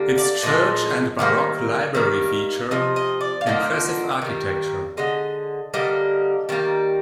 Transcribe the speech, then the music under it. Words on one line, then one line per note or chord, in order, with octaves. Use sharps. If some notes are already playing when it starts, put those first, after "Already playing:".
Its church and baroque library feature impressive architecture and artwork, including intricate ceiling frescoes.
Already playing: D3 G3 A#3
D5
A#2 F3 G#3 D#5
D#3 G3 A#3
D#3 G3 A#3
C3 F3 D#5
D#5
D5
F5
D3 F3 A#3 D#5
D#3 G3 A#3
D3 G#3 D#5
D3 G3 A#3 D#5
D#3 G3 A#3